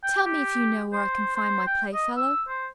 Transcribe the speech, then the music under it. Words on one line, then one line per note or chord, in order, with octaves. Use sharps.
"Tell me if you know where I can find my playfellow."
G5
G4
C5
C5
G5
D#5
E6
C5